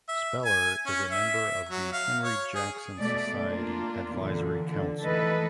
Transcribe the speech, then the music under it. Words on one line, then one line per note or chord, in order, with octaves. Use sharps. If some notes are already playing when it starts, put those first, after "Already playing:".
Spellar is a member of the Henry Jackson Society Advisory Council.
E5
G#5
C#4
E5
F#3
F5
C#5
G#4
B2 A3 D5
A#3 D4 F4
A#2 D3 E3
D3
D#3 E3 A3 A4 B4 D#5